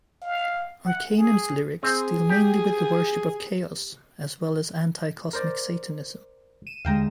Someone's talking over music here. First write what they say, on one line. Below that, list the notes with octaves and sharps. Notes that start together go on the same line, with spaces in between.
Arckanum's lyrics deal mainly with the worship of Chaos, as well as anti-cosmic Satanism.
F5
F#5
G#4
C4 G#4
G4
A#4 C5 D5
D#7 E7
D#2 D3 G#3 F5 G5 A#5